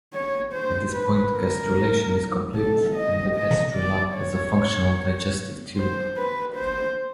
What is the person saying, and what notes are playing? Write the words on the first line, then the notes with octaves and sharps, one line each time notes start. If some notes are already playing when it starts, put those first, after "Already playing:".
At this point gastrulation is complete, and the gastrula has a functional digestive tube.
C#5
C5
B4
A#4
A4
D#5
D#5
D5
C#5
C5
B4
C5